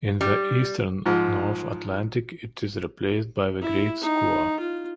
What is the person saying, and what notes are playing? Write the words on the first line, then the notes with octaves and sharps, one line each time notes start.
In the eastern North Atlantic it is replaced by the great skua.
G3
G#2 F3
E4
D#4
F4